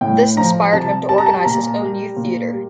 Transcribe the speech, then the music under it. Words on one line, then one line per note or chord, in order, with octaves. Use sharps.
This inspired him to organize his own youth theater.
A2 G5
F3 A#5
C3 A5
G3 A5
A#5
A5
A#2 A#5
G3
A#2
G3